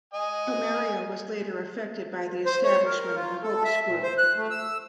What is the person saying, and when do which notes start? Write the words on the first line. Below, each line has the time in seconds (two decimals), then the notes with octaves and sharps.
Pomaria was later affected by the establishment of the Hope School.
0.14 D#5 G#5
2.46 C5
2.63 C#5
2.86 A#4
3.15 F4
3.43 A4
3.64 E5
3.87 A#2
4.03 C5
4.18 F#6
4.37 A3
4.51 E6